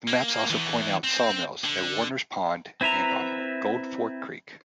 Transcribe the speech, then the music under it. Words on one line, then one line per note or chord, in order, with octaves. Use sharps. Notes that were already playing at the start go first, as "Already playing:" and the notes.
The maps also point out sawmills at Warner's Pond and on Gold Fork Creek.
A#3
E2 E3
C4
D3
C4 E4 B4 E5 A#5